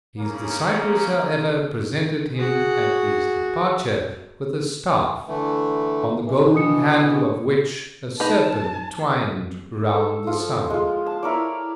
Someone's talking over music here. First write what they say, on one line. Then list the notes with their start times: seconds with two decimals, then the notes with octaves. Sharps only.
His disciples, however, presented him at his departure with a staff, on the golden handle of which a serpent twined round the sun.
0.19 C#3 A#3 C#4
2.37 F#4 G#4
5.28 D3 E3 A3
6.26 B2 E3
6.55 D4 D#6 C#7
8.20 D#4 B4 A5
9.89 A4
10.27 F3 F4
10.70 G#3 F4
11.06 A5
11.23 E4 A#4 C#5 D5